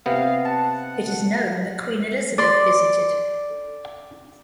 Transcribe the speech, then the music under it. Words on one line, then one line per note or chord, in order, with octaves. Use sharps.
It is known that Queen Elizabeth visited.
C3 B3 F5
F#5 A5
D5 C6